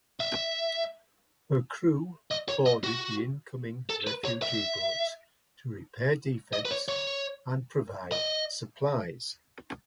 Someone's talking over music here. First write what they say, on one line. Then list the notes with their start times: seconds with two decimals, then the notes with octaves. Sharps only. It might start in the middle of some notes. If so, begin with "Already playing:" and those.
Her crew boarded the incoming refugee boats to repair defects and provide supplies.
0.20 E5
2.31 D#5
2.49 C#5
2.66 D#5
2.84 F#4
3.90 A4
4.07 B4
4.25 C#5
4.42 E5
6.53 D#5
6.65 B4
6.71 C#5
6.88 C#5
8.12 D#5